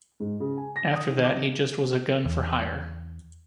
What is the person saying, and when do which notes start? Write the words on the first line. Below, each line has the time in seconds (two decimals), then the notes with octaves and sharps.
After that he just was a gun for hire.
0.20 G#2
0.40 C#3
0.57 G#5
0.76 A#6
0.96 D#6
1.10 D#3
1.23 D6
1.35 C3
2.25 E2